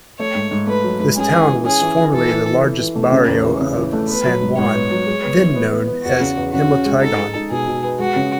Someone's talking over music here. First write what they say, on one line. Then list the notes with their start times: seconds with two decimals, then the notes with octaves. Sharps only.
This town was formerly the largest barrio of San Juan, then known as "Himatagon".
0.19 A3 C#5
0.35 G#2
0.51 G#2
0.67 A3 B4
0.84 F#3
1.00 G#2
1.16 C#4 G#4
1.32 E3
1.49 E3
1.65 C#4 G#4
1.81 E3
1.97 E3
2.14 E3 A4
2.31 E3
2.46 E3
2.63 E3
2.79 E3
2.95 A3
3.12 C#3
3.28 E2
3.44 E3
3.61 C#3
3.77 E3
3.93 A3
4.09 B3 B4
4.25 F#3
4.41 G#2
4.58 G#2 C#5
4.74 B3
4.91 F#3
5.07 G#3
5.23 B3
5.39 E3
5.56 B3
5.72 B3
5.87 B3
6.04 E2 F#4
6.20 C#3
6.37 E2
6.53 C#3 F#4
6.70 C#4
6.85 G#3
7.01 D#4 A4
7.18 G#3
7.35 D#4
7.51 B2 G#4
7.68 B2
7.84 B3
7.99 G#3 F#4
8.16 C#3